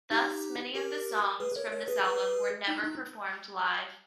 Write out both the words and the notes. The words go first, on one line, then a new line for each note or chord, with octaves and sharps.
Thus, many of the songs from this album were never performed live.
D#4 G4
G4 A#4
G#4 B4
A#4 C#5
A#4 C#5
G#4 B4
G#4 B4
D#4
D#4